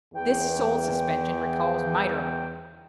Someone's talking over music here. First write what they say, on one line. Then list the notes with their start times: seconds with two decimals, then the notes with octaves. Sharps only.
This soul-suspension recalls Maeterlinck.
0.14 E2 G5